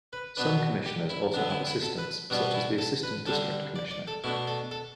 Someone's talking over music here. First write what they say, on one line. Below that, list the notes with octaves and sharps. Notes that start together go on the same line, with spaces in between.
Some commissioners also have assistants, such as the Assistant District Commissioner.
B4
B2 B3 D4 B4
G4
E4
D3 B3 D4
E4
E4
A4
B4
B2 G3 B3 D4
E4
A4
B4
D3 G3 D4 A4
D5
D5
A4
B2 A3 D4 E4
A4
A4